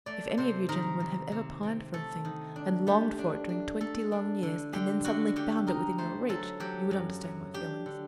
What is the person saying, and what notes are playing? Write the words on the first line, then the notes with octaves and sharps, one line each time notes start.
If any of you gentlemen have ever pined for a thing, and longed for it during twenty long years, and then suddenly found it within your reach, you would understand my feelings.
A3 D5
C3 C5
D#3 A#4
C3
C3
C3
A3 A4
D#3
D4
A3 G4
D4
D4
A3 A4
D4
D3
D3 G4
D3 F#4
D3 G4
D#4 A#4
A3 C5
F#3 A4
F#3 G4
F#2
F#3
D4 G4
D3